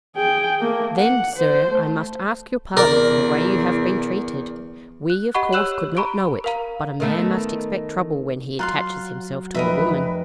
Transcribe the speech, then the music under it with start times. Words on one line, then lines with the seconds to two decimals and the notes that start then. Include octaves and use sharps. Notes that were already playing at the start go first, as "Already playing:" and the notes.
"Then, sir, I must ask your pardon for the way you have been treated. We, of course, could not know it, but a man must expect trouble when he attaches himself to a woman."
0.16 G#4 G5
0.60 A3 A#3
0.97 F#5
1.36 C5
1.69 A3
2.77 E2 C3 A#4 D5
5.10 F#6
5.35 G4 D#5 F#5 B5 C#6
5.53 G4 C#5 E6 F#6 E7 F#7
5.97 A#5 B5 C#6 D7
6.44 A#4 F5 A#5
7.00 D#3 A3 B3
8.59 F#3 F4 F5 A#5 C6 F#6
9.54 F1 A#4 B4 D#5 E5 D#7